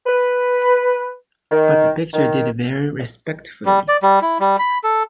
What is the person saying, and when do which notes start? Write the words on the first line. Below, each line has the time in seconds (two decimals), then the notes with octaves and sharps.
But the picture did very respectfully.
0.06 B4
1.51 D#3
2.13 D#3
3.66 G3
3.88 D5
4.02 G3
4.22 E4
4.40 G3
4.59 B5
4.84 A4